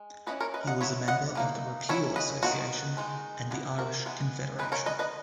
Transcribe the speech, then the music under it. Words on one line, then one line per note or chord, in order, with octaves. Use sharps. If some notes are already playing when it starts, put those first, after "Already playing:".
He was a member of the Repeal Association and the Irish Confederation.
Already playing: G#3
E3 A#3 C#4 E4 B4 D#5
A#4 C#5
B4 D#5
D#5 F#5
F#3 B3 E4 C#5 E5
D#5 F#5
E3 A#3 D#4
F#3 C#4 E4 C#5 E5
B4 D#5
D#3 F#3 B3 F#4
D#3 G#3 D#4
E3 B3 E4 G#4
F#4 A#4
E3 G#3 B3 E4
D#3 G#3 D#4 G#4 B4
A#4 C#5
B4 D#5
B4 D#5